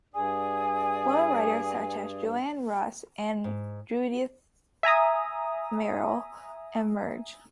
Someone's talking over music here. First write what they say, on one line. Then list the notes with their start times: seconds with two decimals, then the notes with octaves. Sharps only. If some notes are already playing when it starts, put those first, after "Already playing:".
Women writers, such as Joanna Russ and Judith Merril, emerged.
0.14 G2 G#4 D5 G#5 D#6
3.44 G#2
4.83 E5 G#5 A#5 D#6